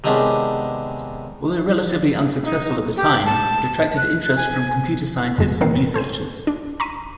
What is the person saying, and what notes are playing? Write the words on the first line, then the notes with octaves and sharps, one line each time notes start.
Although relatively unsuccessful at the time, it attracted interest from computer scientists and researchers.
C3 D#3 G#3 B3 C#4 D4
D#4
G4
A5
F#6
G#5
G1 F2 G#3
D#3 E3 B3 C4 A#4 C7
A4 C5 G#5 D#7
D4
A#5 C6 C#6 B6 D#7